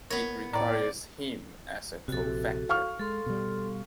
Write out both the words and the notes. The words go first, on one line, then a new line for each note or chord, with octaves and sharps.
It requires heme as a cofactor.
B3 A#4 C#5
A2 D5 A#5
A#1 C3 F#4 A4
F5 C#6 F6
G#3 A4 C6
B2 G3